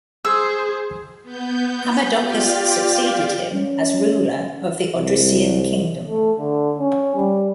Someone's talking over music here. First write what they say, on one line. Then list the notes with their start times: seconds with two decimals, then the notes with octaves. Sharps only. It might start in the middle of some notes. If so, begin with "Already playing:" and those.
Amadocus succeeded him as ruler of the Odrysian kingdom.
0.25 G#4 C5 E6
1.23 B3 G6
2.20 F4 G4 D5 F5 G5
3.54 C#4
4.95 C2
6.07 A3
6.39 D3
6.79 C#4
7.16 G3